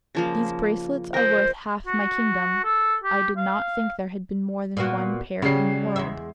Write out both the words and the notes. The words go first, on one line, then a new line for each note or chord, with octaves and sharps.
"These bracelets are worth half my kingdom; I did not think there had been more than one pair in the world."
C#3 F3 A#3
A#4 C5 D#5
F#4
A4
G4
F5
A#2 B3 F#4
C#3 F#3 G3 C7
E2 G#3 E5